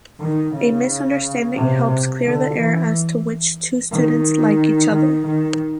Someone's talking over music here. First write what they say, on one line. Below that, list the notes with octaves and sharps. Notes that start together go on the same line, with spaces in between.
A misunderstanding helps clear the air as to which two students like each other.
D#3
C#3
C3
D3
E3
D#3
D#3
D#3